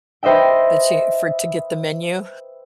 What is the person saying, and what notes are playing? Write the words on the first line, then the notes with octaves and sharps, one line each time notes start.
that you for to get the menu
B4 C5 D#5 E5 G5